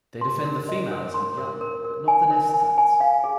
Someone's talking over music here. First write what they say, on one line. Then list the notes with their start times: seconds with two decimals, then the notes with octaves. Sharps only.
They defend the females and young but not the nest sites.
0.21 C6
0.45 A#4
0.69 D#5
0.91 A#4
1.14 C6
1.37 A#4
1.61 A#4
1.84 A#4
2.08 G#5
2.31 A#4
2.54 G#5
2.78 G#5
3.00 F5
3.24 G#4